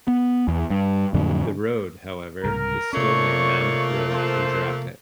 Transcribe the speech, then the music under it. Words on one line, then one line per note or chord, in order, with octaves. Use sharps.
The road, however, is still named Mammoth Road in Dracut.
B3
E2
G2
F2 A2 D3 F#3
C2 G#2 C#3 A#4
C3 F3 A3 A#3 C#4 C#5 D5 C#6
F4 A4 C5